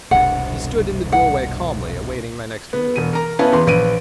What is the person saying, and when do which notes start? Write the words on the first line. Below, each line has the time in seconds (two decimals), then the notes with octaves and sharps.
He stood in the doorway calmly awaiting my next move.
0.11 E1 C2 G2 F#5
1.12 F#5
2.73 B3
2.96 E1 D#7
3.13 A#4 A#5
3.39 B3 C#4 E4 B4 F5 A5
3.52 E2 B4 C6
3.67 A#1 B4 D7 D#7